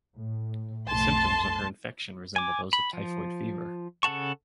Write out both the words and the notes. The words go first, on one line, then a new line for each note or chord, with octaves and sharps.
The symptoms of her infection resemble those of typhoid fever.
A2
B1 F2 A3 A5 C6
G#5 D6
B5
F3
C#3 A4 F#5 A5 C#6